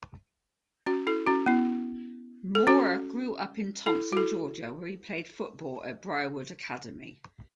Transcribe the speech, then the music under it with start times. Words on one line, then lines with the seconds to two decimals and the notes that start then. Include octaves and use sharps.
Mohr grew up in Thomson, Georgia, where he played football at Briarwood Academy.
0.86 C#4 F#4
1.07 E4 A4
1.27 C#4 F#4
1.46 B3 E4
2.55 A4
2.67 C#4 F#4
3.86 E4 A4
4.12 F#4
4.17 E4 A4